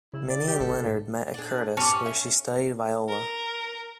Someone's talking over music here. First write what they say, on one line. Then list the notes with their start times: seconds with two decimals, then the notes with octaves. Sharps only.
Minnie and Leonard met at Curtis, where she studied viola.
0.13 C#3 E4
0.30 D5
0.48 G4
0.60 G#1 A4
0.74 C3
0.85 G#2
1.34 D4 G#4
1.77 G2 G3 C#4 A5 D6
2.06 E5
3.09 A#4